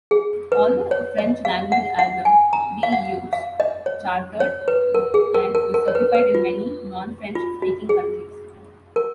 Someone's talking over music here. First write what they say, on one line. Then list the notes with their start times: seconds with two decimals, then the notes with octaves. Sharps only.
Although a French-language album, "D'eux" charted and was certified in many non-French speaking countries.
0.11 G#4
0.52 B4
0.91 C#5
1.18 D#5
1.45 F5
1.72 F#5
1.99 F#5
2.25 G#5
2.53 A#5
2.83 F5
2.92 F#5
3.33 F5
3.60 D#5
3.86 C#5
4.40 C#5
4.68 B4
4.94 A#4
5.14 G#4
5.34 A#4
5.55 A#4
5.74 A#4
5.88 C#5
5.95 B4
6.15 B4
6.35 F4
7.35 F4
7.62 F#4
7.89 G#4
8.96 A#4